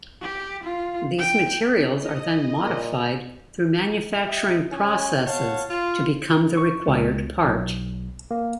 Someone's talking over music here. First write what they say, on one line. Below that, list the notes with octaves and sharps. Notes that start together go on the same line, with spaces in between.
These materials are then modified through manufacturing processes to become the required part.
G4
F4
G5
D#5
A#2
G4 D#5 E5
C#4 G#5
C#5 F5 F#5 A5
F4
C#6
C#2
B1
A#3